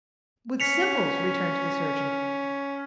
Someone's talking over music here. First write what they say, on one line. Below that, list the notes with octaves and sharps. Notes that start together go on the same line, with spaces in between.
"With simples," returned the surgeon.
C#4 B6 C#7 F7